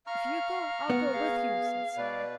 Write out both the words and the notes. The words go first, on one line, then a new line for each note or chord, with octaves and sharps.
"If you go I'll go with you," said Sam.
F5 A#5 C#6 F6
B3 F#5
G#4 F5
B2 B4 D5